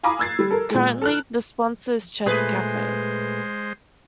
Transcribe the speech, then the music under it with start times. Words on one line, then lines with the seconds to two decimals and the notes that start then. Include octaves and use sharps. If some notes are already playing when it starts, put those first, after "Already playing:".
Currently, the sponsor is ChessCafe.
0.03 F5 G#5 A#5 B5 D6 D#6
0.19 E6 F#6 G#6 A6 C7
0.39 G3
0.50 A4 A#4
0.70 A#2 G#3
1.02 A4 F6 F#6
2.26 A#2 G#3 A3 G#4 B4 C5